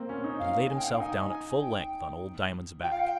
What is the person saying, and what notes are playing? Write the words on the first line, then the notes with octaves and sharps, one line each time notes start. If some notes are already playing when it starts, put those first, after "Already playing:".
And he laid himself down at full length on old Diamond's back.
Already playing: A#3 C4
C#4
D#4
F5
G#5
G5
F5
G5
D#4 G#5
G#5
G5
F4 G5
F5
G5